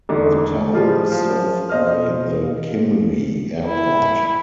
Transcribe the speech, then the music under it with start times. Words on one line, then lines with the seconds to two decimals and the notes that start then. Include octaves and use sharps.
The town is served by the Kimry Airport.
0.09 E1 D3 D#3
0.73 A2 F3 G3 G#3 F4 G#4
1.12 F3
1.69 B2 C5 D#5 F5 F6
3.66 E4